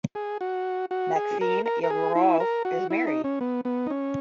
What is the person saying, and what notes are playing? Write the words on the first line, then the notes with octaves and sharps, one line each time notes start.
Maksim Yegorov is married.
G#4
F#4
F#4
G#4
A#4
A#4
A#4
G#4
E4
A#4
F#4
E4
D#4
C#4
B3
B3
D#4
C#4